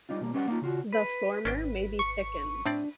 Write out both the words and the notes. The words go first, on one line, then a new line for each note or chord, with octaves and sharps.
The former may be thickened.
G3 D4 D#4 F4
B2 G3 A#3
G3 C#4 B4 E5 F#5
A#3 D#4 F4
C#3 F4 F#4
B4
G#1 C#4 D4 G5
C#6
A2 C4 D4 D5